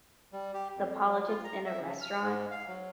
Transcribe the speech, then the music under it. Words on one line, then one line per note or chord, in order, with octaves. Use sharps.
the politics in a restaurant,
G3
G4
F2
F#3
F4
A#5
E5
C#3
F6
G#2
F5
F#3